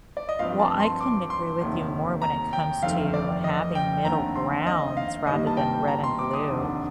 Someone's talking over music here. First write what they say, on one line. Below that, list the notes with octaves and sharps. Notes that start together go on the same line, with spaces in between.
Well, I couldn't agree with you more when it comes to having middle grounds rather than red and blue.
D5
D#5
G2 F3 C4 F5
A5
C6
D6
C6
F1 D#2 D#3 A3
A#5
G5
G1 F2 D#3 A3 C4 F5
D5
D#5
G5
D#2 D3 A3 C4 A#5
C6
D#5
F5
G2 D#3 G3 A#3 D#5
A5
G5
A#5
C6
D6
D#6
F1 D#2 D3